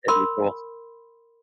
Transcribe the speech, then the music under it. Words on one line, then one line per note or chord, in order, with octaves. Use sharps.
that'd be cool.
A#4 B5 C6